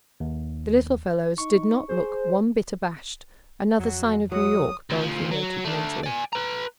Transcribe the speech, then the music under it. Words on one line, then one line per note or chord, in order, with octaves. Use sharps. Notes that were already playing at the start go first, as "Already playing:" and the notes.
The little fellows did not look one bit abashed--another sign of New York, Dorothy noted mentally.
D#2
D#4 C#6
G#4 C5
F2 F#3 F#4
F#3 G#3 E4 F#4 D#6
D2 F3
F#3
A3 D4
D5 G#5
B4 A#5